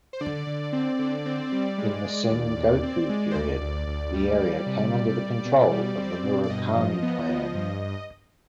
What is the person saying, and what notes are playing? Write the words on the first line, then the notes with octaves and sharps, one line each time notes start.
In the Sengoku period, the area came under the control of the Murakami clan.
C5
D3 D5
D3
C4
D3
C4
G3
G#3
G#3
D#2
D#2
C4
G#3
C5
D2 D5
D2
D2
G3
G3
C3
G3
G3
B2
G3
C4
B2
D5
G2 D#5
F3
B3
F3
G2